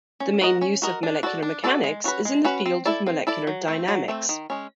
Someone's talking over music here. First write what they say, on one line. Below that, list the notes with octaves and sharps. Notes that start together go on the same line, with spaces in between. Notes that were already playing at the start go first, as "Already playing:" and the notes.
The main use of molecular mechanics is in the field of molecular dynamics.
C#4
F#4 A#4 D#5
C#4
F#4 A#4 D#5
D4
F#4 A4 D5
D4
F#4 A4 D5
G#3
C#4 F#4 B4
G#3
C#4 F#4 B4
C4
E4 A4 D5
C4
E4 A4 D5
F#3
A3 C4
F#3
A3 C4
D#3
G#3 C#4